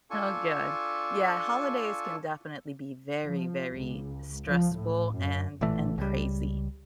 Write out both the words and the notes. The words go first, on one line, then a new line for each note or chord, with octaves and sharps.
Oh good, yeah, holidays can definitely be very, very stressful and and crazy,
D4 F4 A4 G#5 C#6
F3
C#2
F3
A2
F#2
A1 A#2 E3 A3
C#2 G3